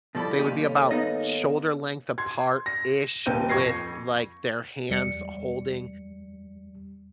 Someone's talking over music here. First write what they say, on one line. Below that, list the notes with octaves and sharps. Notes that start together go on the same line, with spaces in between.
they would be about shoulder length apart-ish with, like, their hands holding,
G2 B2 F3 D#4 E4 A4 D5 B5
D#2 C4 G4
A4 C#5 F5
B3 D#4 D#5
C6 G#6
A#6
D#1 D#2 C4 B4 G6 D#7
F2 C#6 G#6 A#6 C7
E2 G3 C#7